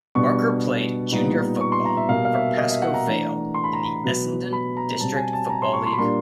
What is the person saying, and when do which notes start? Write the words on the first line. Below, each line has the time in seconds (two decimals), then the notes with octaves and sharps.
Barker played junior football for Pascoe Vale in the Essendon District Football League.
0.15 B2 G3 B3 D4 C#6
1.12 A#2 G3 B3 D#4
1.61 C#6
1.72 C6
1.85 A#5
1.97 E5
2.09 B2 G3 A#3 F5
2.25 F5
2.33 E5
2.57 D#5
2.70 E5
2.82 F#5
2.94 A#5
3.07 E3 A3 D4
3.54 C6
3.64 B5
3.73 A#5
3.83 B5
4.04 B2 F#3 B3
4.53 B5
4.77 A#5
5.00 B2 G3 C4 A5
5.16 G#5
5.33 A5
5.50 A#5
5.62 C6
5.73 C#6
5.86 C6
5.93 B5
5.97 A#2 G3 A#3 D4 C6